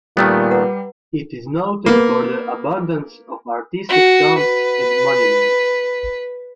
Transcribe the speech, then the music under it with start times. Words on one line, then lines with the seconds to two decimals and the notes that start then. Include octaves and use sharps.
It is noted for the abundance of artistic tombs and monuments.
0.17 A#2 D#3 G3 A3 B3 G4
0.51 B4 F#5 A#5
1.86 A#3 B3
3.90 F#4
4.38 B4